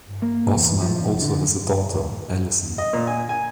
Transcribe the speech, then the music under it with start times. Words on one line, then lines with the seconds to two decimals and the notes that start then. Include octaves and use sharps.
Ossman also has a daughter, Alizon.
0.22 A#3
0.56 E2
0.82 F3
1.07 F1
1.21 D3
2.78 D#5
2.93 A#2
3.07 G#5
3.29 G#5